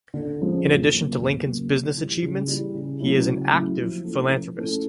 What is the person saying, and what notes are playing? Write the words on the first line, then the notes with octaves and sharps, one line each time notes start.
In addition to Lincoln's business achievements, he is an active philanthropist.
D3
F3 G#3 C#4
E2
C#3 F#3 A#3
E2
C#3 F#3 A#3
C#3
E3 G3
C#3
E3 G3
C#3
F#3 A3 C#4 E4
C#3
F#3 A3 C#4 E4
F3
A3 C#4 E4 A4
F3
A3 C#4 E4 A4